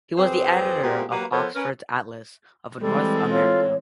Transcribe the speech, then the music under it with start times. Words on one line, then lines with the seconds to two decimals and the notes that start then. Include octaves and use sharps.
He was the editor of Oxford's "Atlas of North America".
0.18 F2 C4 G4 G#4 B4 C5
0.83 A#2 G#3 B3 C4 F#4 G4
1.10 F#3 A#3 F#4 G4 B4
1.32 F3 B3 A4 A#4 C5 C#5
1.55 C#4 A#4 B4
2.81 E3 G3 G#3 C4 A4
3.31 F4 C#5